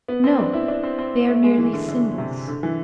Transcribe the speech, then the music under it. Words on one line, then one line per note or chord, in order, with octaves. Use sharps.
No, they are merely symbols.
B3
C4
D4
E4
D4
C4
C4
A3
G#3
E3
D3
D3
C3
D3
E3